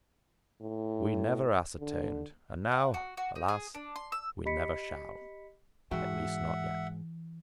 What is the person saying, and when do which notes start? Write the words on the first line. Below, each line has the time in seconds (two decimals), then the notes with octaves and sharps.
We never ascertained, and now, alas! we never shall, at least not yet.
0.61 A2
1.79 D3
2.71 F#5
2.94 F#4
3.17 F#4
3.36 D#4
3.48 G#4
3.74 D4
3.96 C6
4.12 E6
4.45 G4 D#5 B5 B6 C#7
5.91 G#2 E3 F#4 E5 F#5 G5